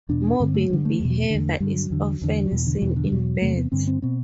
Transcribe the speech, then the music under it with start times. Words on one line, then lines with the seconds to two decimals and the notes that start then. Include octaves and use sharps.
Mobbing behaviour is often seen in birds.
0.09 E2 B2 D4
0.40 G2 D3 C4
0.54 A3
0.70 G2 D3 G3
0.85 A3
1.00 E2 B2 G3
1.10 F#3
1.20 A3
1.30 E2 D3
1.60 G2 D3 G3
1.75 F#3
1.90 E2 D3
2.22 E2 D3
2.46 F#3
2.51 E2 B2 E3
2.67 D3
2.77 F#3
2.82 E2 B2 E3
2.96 D3
3.07 G3
3.12 E2 B2 F#3
3.42 E2 C3 A3
3.58 B3
3.72 G2 D3 C4
3.88 C4
4.02 B2 C4